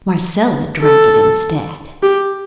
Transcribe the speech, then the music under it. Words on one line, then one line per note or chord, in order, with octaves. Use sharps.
Marcella drank it instead.
A4
G4